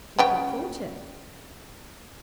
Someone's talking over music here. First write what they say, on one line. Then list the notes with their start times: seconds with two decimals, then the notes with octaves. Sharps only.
She had not thought it.
0.19 C#3 B3 G5